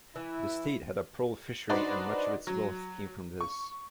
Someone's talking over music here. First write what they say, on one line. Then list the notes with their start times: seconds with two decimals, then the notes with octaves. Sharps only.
The state had a pearl fishery and much of its wealth came from this.
0.16 E3 E4
1.69 D4 D#4 F#4 B4 C5 D5
2.47 F#3
3.41 C#6